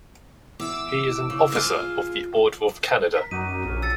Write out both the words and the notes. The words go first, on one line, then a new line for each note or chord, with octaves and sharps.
He is an Officer of the Order of Canada.
E2 D6 E6
C#3
F4 G#4 F5
A#4 B6
F#2 D#4 F#4 D5 D#7
A#1 C#4 A4
A5 E6 A6 C#7